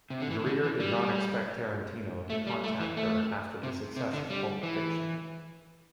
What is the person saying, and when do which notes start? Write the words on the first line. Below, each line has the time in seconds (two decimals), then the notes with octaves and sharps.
Grier did not expect Tarantino to contact her after the success of "Pulp Fiction".
0.10 C3
0.20 D3
0.31 E3
0.46 D3
0.63 E3
0.80 G3
2.30 A3
2.47 G3
2.64 A3
2.80 E3
2.97 A3
3.63 C3
3.96 C3
4.13 D3
4.30 G3
4.63 E3